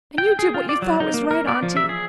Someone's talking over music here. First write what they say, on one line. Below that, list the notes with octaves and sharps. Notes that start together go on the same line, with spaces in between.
And you did what you thought was right, Auntie.
G5
G#4
F4
D5
F#3
D#4
A#3
A#4
D5
F3
E5
G#4